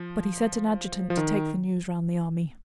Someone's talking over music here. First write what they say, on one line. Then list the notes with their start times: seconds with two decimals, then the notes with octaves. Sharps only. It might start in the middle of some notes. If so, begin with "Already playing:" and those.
But he sent an adjutant to take the news round the army.
Already playing: F3
1.10 F3
1.17 D#3